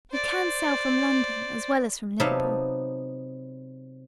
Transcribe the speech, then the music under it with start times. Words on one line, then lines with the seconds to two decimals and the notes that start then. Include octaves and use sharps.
You can sail from London as well as from Liverpool?'
0.11 C5 D5
2.20 C3 F#3 B3 D#4 F5 A5